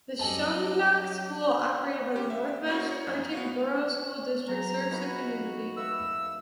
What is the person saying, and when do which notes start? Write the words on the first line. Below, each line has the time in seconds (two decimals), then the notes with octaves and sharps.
The Shungnak School, operated by the Northwest Arctic Borough School District, serves the community.
0.19 F#2 F#3 G3 A4 D#5 G#5 A5 D6
2.16 C#4 G4
2.30 E5
2.66 A#3 C#4 D#4 F4 F#4
2.91 C#5
3.07 F#2 F3
3.33 B3 F#4 F5
4.48 F#3 C4 G#4 A#5
4.91 D#4 F4 F#4 B4
5.77 B4 E5 F5 E6